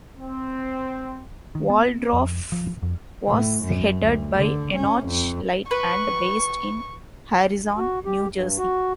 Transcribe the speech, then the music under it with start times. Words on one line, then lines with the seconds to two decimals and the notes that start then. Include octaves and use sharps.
Waldorf was headed by Enoch Light and based in Harrison, New Jersey.
0.18 C4
1.55 D#3
1.70 B3
2.13 F2
2.52 F3
2.83 F2
3.26 A2
3.64 F#2
4.03 D2
4.35 D3
4.74 C#4
5.07 F2
5.71 B4 C#6
7.78 F#4
8.05 G4
8.32 G2
8.58 F#4